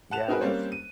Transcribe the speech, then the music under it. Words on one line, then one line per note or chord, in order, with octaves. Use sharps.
Yeah. That's
F#5 A5 F#6 E7 F7
C4 D#4 F#4 G#4 A#4 B4
G3 A#3 C4 C#4 C5 C#5
D#7